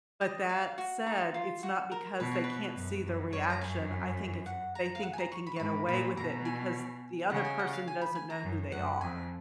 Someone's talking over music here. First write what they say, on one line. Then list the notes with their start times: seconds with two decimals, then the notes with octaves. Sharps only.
but that said, it's not because they can't see their reaction. I think it's they think they can get away with it because the other person doesn't know who they are.
0.21 D#5
0.49 F5
0.78 F#4
1.06 D#4
1.34 F4
1.63 F#4
1.92 A#4
2.20 B2 B4
2.32 C#5
2.44 B4
2.76 F#2
3.04 F#2
3.33 F#2 C#5
3.50 A#5
3.61 G#5
4.46 F#5
4.75 A#5
4.95 F5
5.03 F#5
5.13 G#5
5.18 A#5
5.32 C#6
5.47 B5
5.56 C#6
5.60 G#2 B5
5.89 A#2 B5
6.17 B2 A#5
6.45 G#5
7.30 C#3 F#5
7.45 G#5
7.59 F#5
7.73 F5
7.88 G#5
8.01 B5
8.15 G#5
8.30 A#5
8.43 F#2
8.72 F#2 F#5
9.01 F2 G#5